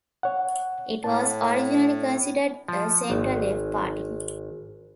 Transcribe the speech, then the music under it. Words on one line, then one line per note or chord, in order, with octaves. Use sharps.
It was originally considered a centre-left party.
C#5 F#5
A2 A5
F3
G#1